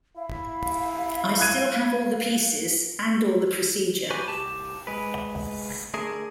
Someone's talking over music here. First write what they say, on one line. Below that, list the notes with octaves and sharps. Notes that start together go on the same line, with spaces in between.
I still have all the pieces, and all the procedure...
E4 F5
F#6 G#6 D#7
F#4 G4 B4 G#5
C2 G4 A5
G#3 B4
D3 A3 G#4 A#4